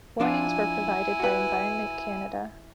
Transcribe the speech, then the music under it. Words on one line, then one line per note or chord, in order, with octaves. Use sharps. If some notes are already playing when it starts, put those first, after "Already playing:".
Warnings were provided by Environment Canada.
F3 D4 E4 F4 G#5
F#4 B4